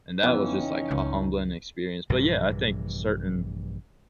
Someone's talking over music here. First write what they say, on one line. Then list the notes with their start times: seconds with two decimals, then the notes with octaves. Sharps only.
and that was just, like, a humbling experience. But yeah, I think certain
0.23 F2 C#3 E3 B3 C#4 D#4
0.91 C#2
2.10 A#1 G2 C3 E3